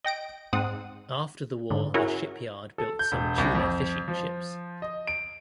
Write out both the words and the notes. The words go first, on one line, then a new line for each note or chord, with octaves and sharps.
After the war the shipyard built some tuna fishing ships.
D#5 G5 A#6 D7
G#2 C4 F#5 D#6
G#2 D3
C#4 E4 F#4 G#4 A#4
A4
G6
E1
C2
F2
F3
D#5
D7